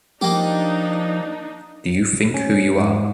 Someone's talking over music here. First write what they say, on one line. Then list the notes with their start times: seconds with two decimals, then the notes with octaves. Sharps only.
Do you think who you are?
0.21 F3 A#3 D4 D#4 G4
2.34 C#4
2.77 G#2